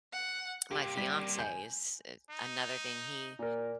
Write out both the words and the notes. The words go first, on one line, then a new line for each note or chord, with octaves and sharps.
my fiancé is i another thing. He
F#5
C3 A#3 G4
G3 B6
G#5 G6
D#4
A#2 A#4